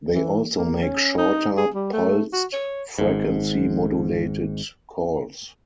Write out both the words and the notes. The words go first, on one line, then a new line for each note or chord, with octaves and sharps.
They also make shorter pulsed, frequency modulated calls.
E3
A#3
C#4
D#4
G#4
G3
A3
F#4
C#5
G#1 G#2